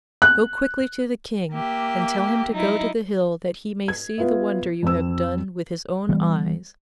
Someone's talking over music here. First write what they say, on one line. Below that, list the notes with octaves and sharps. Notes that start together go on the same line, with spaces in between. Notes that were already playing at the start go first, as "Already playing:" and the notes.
Go quickly to the King, and tell him to go to the hill that he may see the wonder you have done with his own eyes.
F#6
A#3 G4 E5
F#3 D#4 E4
G#6
B3 F4 B4 E5
F2 C4 E6
E3 G3 B3